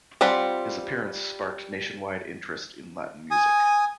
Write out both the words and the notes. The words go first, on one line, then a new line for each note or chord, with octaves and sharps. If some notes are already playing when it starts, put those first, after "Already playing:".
His appearance sparked nationwide interest in Latin music.
G3 C4 F4 F#5 B5
G#5 D#6